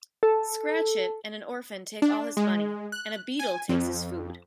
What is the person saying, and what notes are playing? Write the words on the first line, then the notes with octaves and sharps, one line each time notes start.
Scratchit and an orphan take all his money, and a beadle takes his food.
A4
D4
G#3
F#6
G#5
F2